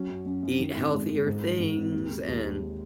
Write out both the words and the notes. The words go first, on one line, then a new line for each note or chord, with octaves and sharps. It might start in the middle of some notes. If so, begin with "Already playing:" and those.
eat healthier things, and,
Already playing: F#3 C#4
F#2
F#2
F#2
D#3
G#1
G#3
G#3
G#2
E3
G#2
G#1
D#2
G#3
D#2
D#2